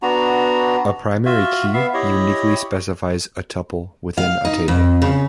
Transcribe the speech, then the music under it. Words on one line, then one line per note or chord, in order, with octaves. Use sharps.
A primary key uniquely specifies a tuple within a table.
B3 D4 F#4 A#5
F4 F#4 E5
B3 E5 F5
E4 G4 C#5 D#5
F5
D#4
F2
C#3